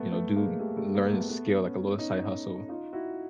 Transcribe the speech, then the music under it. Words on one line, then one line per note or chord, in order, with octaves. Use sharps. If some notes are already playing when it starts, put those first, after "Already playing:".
You know, do learn a skill, like a little side hustle,
Already playing: A3 B3
A3 B3
G#3 A#3
G3 A3
G3 A3
G#3 A#3
A3 B3
A#3
A3 B3
B3 C#4
C#4 D#4
D#4 F4
E4 F#4